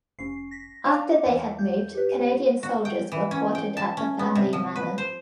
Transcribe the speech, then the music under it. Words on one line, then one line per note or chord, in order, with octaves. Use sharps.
After they had moved, Canadian soldiers were quartered at the family manor.
F1 C#4 C7
A#6 B6
D4 F5 D6
E2
G6
G4 B4
F#4
G5
E3
C#4
G5
A5
C#4
B3
C3
F3
B4
C5